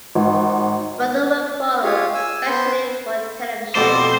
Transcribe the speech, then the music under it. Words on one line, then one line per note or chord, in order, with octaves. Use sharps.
Further work followed, especially for television.
G#1
F4 G4 G#4 C#5 F5
G#5 E6
B3 C5 C6 G6
F2 B2 G3 A3 C5 D6